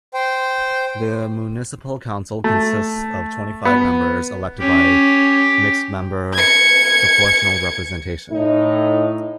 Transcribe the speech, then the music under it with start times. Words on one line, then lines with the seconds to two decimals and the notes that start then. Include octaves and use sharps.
The municipal council consists of twenty-five members elected by mixed-member proportional representation.
0.14 C5 G5
2.44 A3
3.65 B3
4.61 C#4 G4
6.34 G#6 C#7
8.32 A2 D#4